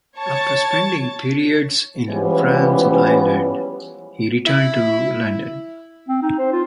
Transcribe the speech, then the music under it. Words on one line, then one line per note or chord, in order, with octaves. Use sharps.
After spending periods in France and Ireland, he returned to London.
C#5 A5 C#6 A6
E3 F3 G3 G#3 B3 C#4
E4
C4
D#4
C5
F4